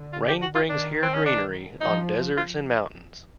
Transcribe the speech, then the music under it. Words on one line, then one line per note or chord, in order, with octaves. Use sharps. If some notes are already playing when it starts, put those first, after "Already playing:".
Rain brings here greenery on deserts and mountains.
Already playing: D3
F4
G4
F#4
F4
D#3 D4
C4
C#4
D4
F3 D#4
F4